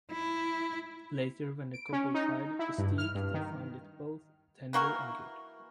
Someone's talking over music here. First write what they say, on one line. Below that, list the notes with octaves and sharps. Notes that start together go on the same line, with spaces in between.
Later when the couple tried the steak they found it both tender and good.
E4
D7
C#4
D#4
E4
G2
F6
G2
D#3
E3 A#3 F#4 A#4